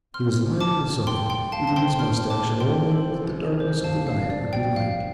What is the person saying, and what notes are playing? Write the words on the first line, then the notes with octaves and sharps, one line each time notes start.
He was lying on the sofa, eating his moustache and wondering what the darkness of the night would be like.
C4 C6 F6
C2
A5 D6
G3
G3 G5 C6
G5 C6
G3
F5 A5
C4 A5
G5 C6
G3 C6 F6
C3 A5 D6
G3 G5 C6
C4 A4
A4
C2
A4
C4
C5
G2 F5 A5
F5
F3
D5
G2
D5 G5
F3 F5